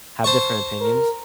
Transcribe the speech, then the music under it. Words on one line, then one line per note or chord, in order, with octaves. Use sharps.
have different opinions.
C5 A5 C#6
A#4